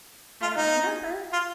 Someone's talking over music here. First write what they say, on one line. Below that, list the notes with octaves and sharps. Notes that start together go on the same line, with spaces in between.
"I don't remember."
F4
D#4
F4